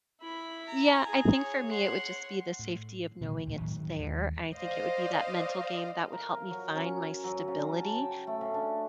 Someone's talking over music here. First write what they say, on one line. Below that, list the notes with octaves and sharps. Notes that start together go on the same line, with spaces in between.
Yeah, I think for me it would just be the safety of knowing it's there and I think it would be that mental game that would help me find my stability,
E4 B5
A#5
G#4 G#5
C#5
F#5 C6
A2
A#2 D3 D#3 G#3
C#2 A2
A2 D#3 F#3 G3
D#2 G#3
C5 D5 D#5 F5
A#4
F5
F#3
C#4
F#3
C#3
A5
G5
A3
C#3
D4